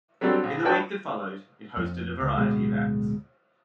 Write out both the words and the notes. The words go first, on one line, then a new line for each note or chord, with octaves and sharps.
In the week that followed, it hosted a variety of acts.
F#3 G3 C4 D4 A4
A#1
D4 F#4 B4 C#5 G5 A5
F2
C#2
D1 B2 G#3